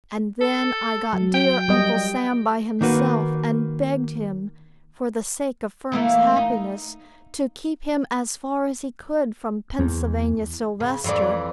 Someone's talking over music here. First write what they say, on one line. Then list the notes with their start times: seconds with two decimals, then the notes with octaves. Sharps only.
And then I got dear Uncle Sam by himself, and begged him, for the sake of Firm's happiness, to keep him as far as he could from Pennsylvania Sylvester.
0.41 A4
1.13 F#3
1.34 G5
1.68 G3 D#5
2.81 D#3 A#3 F#4 B4
5.92 E3 A3 A#3
6.36 D#4
9.79 E2
10.80 C#3
11.04 F2 E3 D5